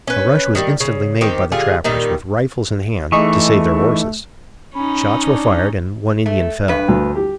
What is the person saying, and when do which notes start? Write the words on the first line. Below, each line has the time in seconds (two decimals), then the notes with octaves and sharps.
A rush was instantly made by the trappers, with rifles in hand, to save their horses. Shots were fired and one Indian fell.
0.07 C#4 B4
0.55 D#3 G3
0.80 C#3
1.21 D#3 C4 G4
1.52 D3 G3 F4 G#4
1.84 A#2 D#3 G3 D#4
3.12 E3 A3 D#4 G#4 D#5 C#6
4.75 C#4 D#4 B5
5.25 D4
6.26 A3
6.68 G2 B4
6.88 D2
7.15 G4